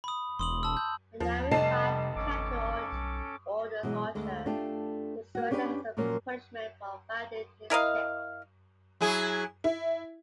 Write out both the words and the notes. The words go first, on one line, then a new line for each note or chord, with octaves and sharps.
The now-revived captain orders Archer to surrender as punishment for violating his ship.
B5 D#6
E1 C6 D#6 F#7
A5 E6
G6
D#2 F3
F1 C3 G3 D#5 A5 C7
G#1 C#4 A4 D6
B1
B2 E3 F#3 G#3
D2 D3 G#3
A3 D4 F4 G4
A#3 F#4
C#4 D4 G4 A#4 B4 D5
A#2 F3 F#3 A#3 C#4
E4 A#4 D#5 F5
F#3 E4 G#4
E4